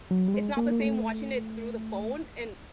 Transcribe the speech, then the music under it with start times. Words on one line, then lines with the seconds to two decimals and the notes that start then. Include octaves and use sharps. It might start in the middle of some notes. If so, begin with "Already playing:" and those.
it's not the same watching it through the phone and
0.11 F#3
0.28 G3
0.34 G#3
0.57 A#3
0.71 A#3
0.80 A3